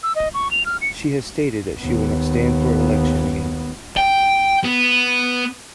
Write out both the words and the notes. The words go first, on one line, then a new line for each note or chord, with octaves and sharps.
She has stated that she will not stand for election again.
E6
D#5
C#6
F7
F6
C#7
D#2 B3
G5
B3